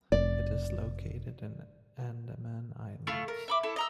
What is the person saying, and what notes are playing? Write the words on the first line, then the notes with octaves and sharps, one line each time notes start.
It is located in the Andaman Islands.
F1 D5
A3 E4 F4 C#6
A#4
E5 B5 D6
E4 A4
D#5 A#5 E6